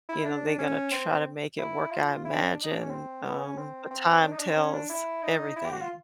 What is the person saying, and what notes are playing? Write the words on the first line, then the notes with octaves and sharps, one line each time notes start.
you know, they're gonna try to make it work, I imagine, um, but time tells everything.
E4
D4
C#4
C4
E4
F4
E4
D4
C#4
D4
D#4
D4
C#4
C4
B3
C#4
C4
C4
D4
D#4
D4
C4
C#4
D4
E4
D#4
E4
G4
F#4
F4